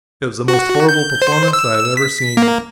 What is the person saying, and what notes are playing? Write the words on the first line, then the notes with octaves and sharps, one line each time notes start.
It was the most horrible performance I have ever seen.
F#4
G6
C5
E6
B6
A#3